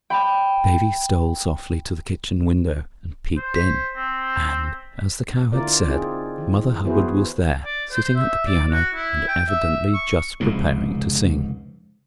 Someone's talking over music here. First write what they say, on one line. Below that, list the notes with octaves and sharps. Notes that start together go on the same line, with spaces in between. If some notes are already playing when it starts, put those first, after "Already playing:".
Davy stole softly to the kitchen window and peeped in, and, as the Cow had said, Mother Hubbard was there, sitting at the piano, and evidently just preparing to sing.
G5 B5
C5
B6
C4
D3 A#3 E4 F4 A#4 D5
C4 D#4 F4 G#4
D#3 E3
B3 E4 F#4 G#4 B4 C5
D5
C5
E5
D5
F#4
E4
G5
E5
C#6
F1 C#2 G#2